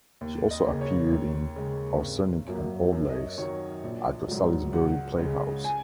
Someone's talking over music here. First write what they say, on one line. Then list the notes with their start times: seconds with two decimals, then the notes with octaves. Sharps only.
She also appeared in "Arsenic and Old Lace" at the Salisbury Playhouse.
0.21 D#2
0.51 D#5
0.66 C#3 A#3
0.81 C#5
1.11 D#2
1.56 C#3 G#3
2.02 G#1
2.47 F#2 F#3 A#3
2.92 F#2 A#4
3.09 D#5
3.15 C#5
3.38 D#3 F#3 C#5
3.83 A#1
4.28 G#2 F#3
4.73 C#2 F#5
5.18 C#3 G#3
5.64 G#5